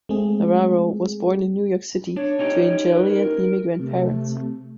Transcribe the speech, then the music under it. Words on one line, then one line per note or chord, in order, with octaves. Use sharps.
Navarro was born in New York City to Italian immigrant parents.
G#3 A3 C4 G#4
D4 C#5
C#4 D#4 G4
B4
A#4
C3 A3